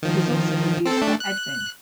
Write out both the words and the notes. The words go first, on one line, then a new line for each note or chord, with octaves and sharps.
It has also been used for Advent.
D#3 F3
C4 A4
A3 D4
F#6